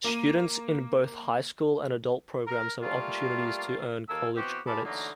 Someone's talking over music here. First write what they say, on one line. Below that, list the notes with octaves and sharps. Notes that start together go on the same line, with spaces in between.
Students in both high school and adult programs have opportunities to earn college credits.
A#3 D#7
A#4
G3 A3 A#3 F4
D#2 D#3 A#3 A4 G#5 E6
E3 B3 C4 F#4 G4
B2 F4 G#4 A5 B5 D6
D3 E3 F#3 A3 A#3 D#4